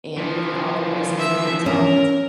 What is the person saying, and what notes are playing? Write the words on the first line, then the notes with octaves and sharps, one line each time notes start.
an when all the prices really jumped
E3 F3
E5
C#4 A#4